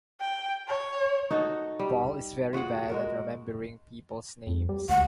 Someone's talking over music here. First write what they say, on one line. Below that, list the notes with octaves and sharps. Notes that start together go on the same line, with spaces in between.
Paul is very bad at remembering people's names.
G5
C#5
D#4 F#4 A4 D#5
G3
F4 F#4 G#4 F#5
G#3 F#4 A#4
F2
G3
D2 F#5